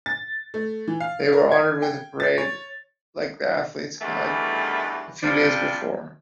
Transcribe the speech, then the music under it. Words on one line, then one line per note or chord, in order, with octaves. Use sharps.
They were honoured with a parade like the athletes had a few days before.
A6
A3
E3
F5
A#4
G#6
G5
A6
C#5
E2 G2 D#3 E3 A3
G2 C3 F3 C5 D5